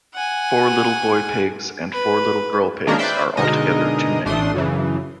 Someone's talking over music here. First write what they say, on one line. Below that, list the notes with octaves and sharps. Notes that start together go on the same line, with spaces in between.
Four little boy pigs and four little girl pigs are altogether too many.
F#5 G#5
B4
D#3 G#3 A#3 C#4 D4 A#4
B4 C5 D5 E5 G5 B5
B2 D3 G#3 D#4 A#4 D#5
A1 A3 D4 C6 D#6
F#2 C#3 E3